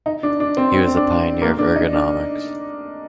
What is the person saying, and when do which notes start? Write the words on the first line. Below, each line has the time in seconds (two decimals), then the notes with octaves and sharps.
He was a pioneer of ergonomics.
0.06 D#4
0.23 D4
0.40 D4
0.57 C4
0.74 C4
0.87 C4
0.97 D4
1.42 A#3
1.59 D4
1.76 D#4
1.93 D4